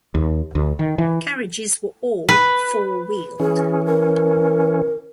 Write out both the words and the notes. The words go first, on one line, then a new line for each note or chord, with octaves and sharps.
Carriages were all four-wheeled.
D#2
D2
D#3
E3
B4
E3 C#4 G#4
A#4